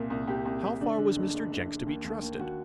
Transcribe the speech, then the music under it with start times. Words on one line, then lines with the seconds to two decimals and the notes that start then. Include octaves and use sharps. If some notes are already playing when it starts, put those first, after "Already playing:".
How far was Mr. Jenks to be trusted?
Already playing: C2 A#2
0.10 C2
0.27 C2 G4
0.45 C2
0.63 C2
0.80 D3 D4
0.98 D3
1.16 F#1
1.34 F#1
1.51 F#1
1.69 D3
1.87 D#2
2.04 D#2
2.22 D#2
2.39 D#2 F#4